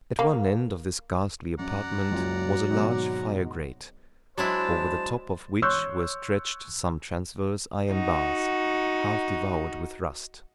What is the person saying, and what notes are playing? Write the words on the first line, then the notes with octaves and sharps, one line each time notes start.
At one end of this ghastly apartment was a large fire-grate, over the top of which were stretched some transverse iron bars, half devoured with rust.
A#3
F#2 D5 F#5 A#5
F#1 C#2 F#3 F4
G#1 G#2 B2
F#3 G#3 D4 E4 C5 A5
C#5 C6 C#6 E6 F#6 G6
D#4 F#4